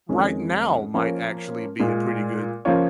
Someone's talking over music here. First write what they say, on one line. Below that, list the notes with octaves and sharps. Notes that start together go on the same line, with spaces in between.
right now might actually be a pretty good
F2 D#3 G#3 C#4
F3 A#3 C#4
A#2 G#3 F4
C#3 F3 A#3 F4 C#5